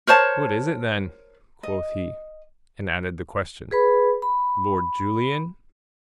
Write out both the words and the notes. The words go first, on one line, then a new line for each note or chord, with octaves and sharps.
"What is it, then?" quoth he, and added the question: "Lord Julian?"
A#4 C5 C#5 A5
D#5
G#4 B4 B5
B5